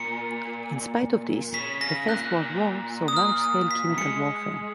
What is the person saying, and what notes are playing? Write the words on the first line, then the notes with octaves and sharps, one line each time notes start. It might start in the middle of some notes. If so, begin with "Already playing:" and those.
In spite of this, the First World War saw large-scale chemical warfare.
Already playing: A#2 C#7
C#3 B6
C#3 A#6
A#2 F#6
D#6
F6
D#6
B6
G#3 C#7